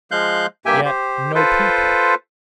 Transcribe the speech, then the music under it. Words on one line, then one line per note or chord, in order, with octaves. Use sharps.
Yet no people.
F3 G#3 F5 F#6 G6
G2 A#3 G4 E5 G5 G#5
G4 C5
F4 A4 B4 C5